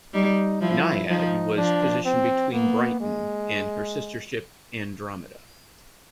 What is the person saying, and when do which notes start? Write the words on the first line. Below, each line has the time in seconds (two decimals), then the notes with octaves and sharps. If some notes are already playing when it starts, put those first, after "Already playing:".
"Naiad" was positioned between "Brighton" and her sister-ship "Andromeda".
0.14 G3 D#4
0.61 F3 E4
1.09 F3 D#4
1.56 F3 D4
2.05 C4
2.52 A#3 B3
3.00 G#3